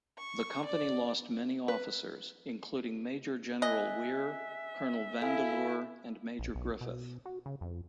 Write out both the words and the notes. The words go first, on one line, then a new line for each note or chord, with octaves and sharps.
The Company lost many officers, including Major General Weir, Colonel Vandeleur, and Major Griffith.
C#6
D5
B4
D#5 E5 G#5 F#6
E4 A4 F5 G#5
A#1
B1
B2
F#4
C#3
F2